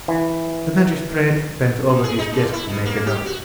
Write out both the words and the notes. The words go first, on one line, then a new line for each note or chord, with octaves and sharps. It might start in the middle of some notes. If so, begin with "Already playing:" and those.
The magistrate bent over his desk to make a note.
E3
F#2
G#4
D#4
A2
E4
B2
A#3
G4
F#4